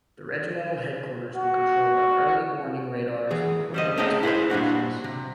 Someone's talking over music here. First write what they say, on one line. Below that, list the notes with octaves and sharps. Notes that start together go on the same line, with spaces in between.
The regimental headquarters will control the early-warning radars and coordinate battalion actions.
F#4
E3 G#4
G3 C5 D#5
A3 C4 C#4 D#4 G#4 D#5
E4 G#4 B4 C5
A#2 G3 D4 F#4
C3